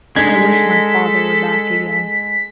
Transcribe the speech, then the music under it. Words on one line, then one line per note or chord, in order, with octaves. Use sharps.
I wish my father were back again.
G#3 D4 D#4 A4 G#6 B6